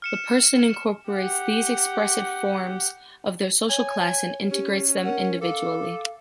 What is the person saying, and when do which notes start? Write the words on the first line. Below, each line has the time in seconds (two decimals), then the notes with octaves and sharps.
The person incorporates the expressive forms of their social class and integrates them individually.
0.02 F6 C#7 E7
1.10 G4 F#5
3.69 C#5 G#5
4.51 C#4 G4
5.04 A#4 F#5
5.41 A4 F5 D6